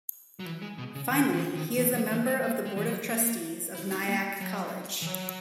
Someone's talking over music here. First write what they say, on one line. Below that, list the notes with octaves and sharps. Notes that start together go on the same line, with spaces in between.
Finally, he is a member of the Board of Trustees of Nyack College.
F#3
E3
G#3
B2
C#3
D#3
E3
D#3
E3
F#3
E3
G#3
A#3
G#3
E3
F#3
A#3
E4
D#4
A#3
F#3
E3
F#3